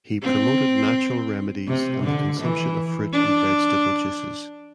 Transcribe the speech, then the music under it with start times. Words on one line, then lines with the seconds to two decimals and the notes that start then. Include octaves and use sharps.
He promoted natural remedies and the consumption of fruit and vegetable juices.
0.22 C4
1.68 C3
2.04 D3
2.40 E3
3.12 D4